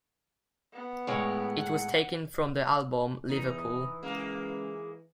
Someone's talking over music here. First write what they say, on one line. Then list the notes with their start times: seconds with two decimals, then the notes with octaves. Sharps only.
It was taken from the album "Liverpool".
0.73 B3
1.07 A2 G#3 C#5
1.59 F#5
3.29 E2 E3 D#4
4.02 C#2 G#3 A#3